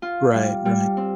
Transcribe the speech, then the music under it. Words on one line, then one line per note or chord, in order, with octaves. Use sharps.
Right, right.
F4
G3
G3
C4